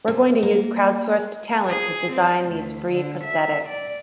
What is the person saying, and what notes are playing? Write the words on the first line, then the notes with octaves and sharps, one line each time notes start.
We're going to use crowdsourced talent to design these free prosthetics.
C3
A#3
G#4
C4
D2
D3
E5
D5